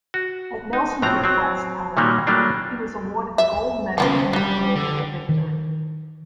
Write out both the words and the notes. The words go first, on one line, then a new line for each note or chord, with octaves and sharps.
At Nelson's request, however, he was awarded the gold medal commemorating the victory.
F#4
D#4
A2 F3 F#3 C4 A#5
F#3 C4
A#2 D#3 F#3 G3 A#3
F#3 G3 A3 A#3 D4 F4
E5
D#2 C#3 F3 B3 C4
G3 D4 G4
D3
D#3